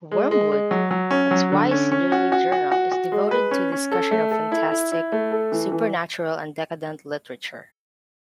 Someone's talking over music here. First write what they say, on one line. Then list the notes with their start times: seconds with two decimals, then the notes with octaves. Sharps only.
"Wormwood", a twice-yearly journal, is devoted to discussion of fantastic, supernatural and decadent literature.
0.11 G#3
0.31 G#3
0.52 G#3
0.71 F#3
0.91 F#3
1.11 C#4
1.31 F#3
1.52 D3
1.71 C#4
1.92 C#4
2.12 F#4
2.32 F#4
2.52 F#4
2.72 F#4
2.92 F#4
3.12 G#3
3.31 B4
3.51 C#4
3.72 C#4
3.92 A4
4.11 A3
4.31 A4
4.52 E4
4.71 E4
4.92 E4
5.12 A3
5.31 A4
5.52 E3
5.72 E3